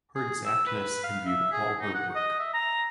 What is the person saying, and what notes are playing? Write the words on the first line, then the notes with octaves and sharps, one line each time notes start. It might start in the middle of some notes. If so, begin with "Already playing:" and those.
Her exactness imbued all her work.
G#4
E6
B4
F5
E5
G#4
D#4
F#5
D#5
E5
A#5